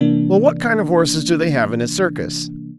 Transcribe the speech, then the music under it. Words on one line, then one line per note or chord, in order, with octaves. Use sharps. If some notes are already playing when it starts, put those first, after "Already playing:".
Well, what kind of horses do they have in a circus?
C3 E3 A#3 D4